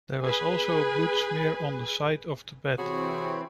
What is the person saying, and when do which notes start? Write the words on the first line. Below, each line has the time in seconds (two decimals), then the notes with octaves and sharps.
There was also a blood smear on the side of the bed.
0.24 G#4 B4 G#5
2.79 C3 E3 C4 F#4 G#4 C#5 B5